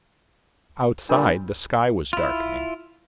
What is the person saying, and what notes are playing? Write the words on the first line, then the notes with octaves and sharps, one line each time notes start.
Outside the sky was darkening.
A#2 G3 D4 A#4
E4 F4